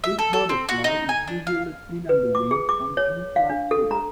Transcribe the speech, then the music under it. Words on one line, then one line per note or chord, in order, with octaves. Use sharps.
This butterfly is usually seen on the wing from June to October.
E5
A4
A4
C4
F#4
D#4
G#5
D4
F5
B4
D6
G#4
D6
C#5
F5
D4
A4
A#5